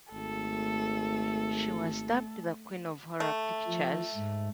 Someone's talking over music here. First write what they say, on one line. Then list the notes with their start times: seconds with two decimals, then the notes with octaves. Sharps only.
She was dubbed the "Queen of Horror Pictures".
0.13 G#1 A3 A4
3.20 A3
3.67 F3
4.15 G#2